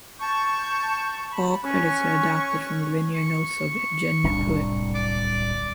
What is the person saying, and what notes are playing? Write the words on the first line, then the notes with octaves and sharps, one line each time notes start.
All credits are adapted from the liner notes of "Jeanne Pruett".
A5 C#6 G6
B5
C#4 C#6 F#6
C#6
D1 C2 D4
D5